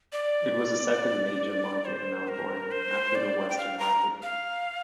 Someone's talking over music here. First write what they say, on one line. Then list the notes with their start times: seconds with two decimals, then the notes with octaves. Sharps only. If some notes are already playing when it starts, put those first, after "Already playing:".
It was the second major market in Melbourne, after the Western Market.
0.13 D5
1.85 C5
2.28 A#4
2.71 C5
3.15 D5
3.50 G5
3.58 F5
3.79 A#5
4.23 F5